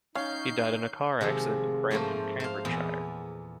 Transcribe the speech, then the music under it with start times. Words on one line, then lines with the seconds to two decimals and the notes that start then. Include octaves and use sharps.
He died in a car accident in Brampton, Cambridgeshire.
0.15 C#4 D#4 F5 G6 C7
1.21 C3 D#3 F3 G#3
1.91 G#2 F3 A3 A#3 C5
2.40 C5 F5
2.65 E2 A#2 B3 A5